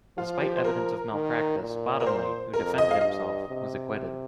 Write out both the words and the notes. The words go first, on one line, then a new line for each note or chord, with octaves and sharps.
Despite evidence of malpractice, Bottomley, who defended himself, was acquitted.
F3 F4
G4
C5
A#4
D#3
A#2
A#4
C5
F2 A#4
D#5
F5
G2 D#5
C3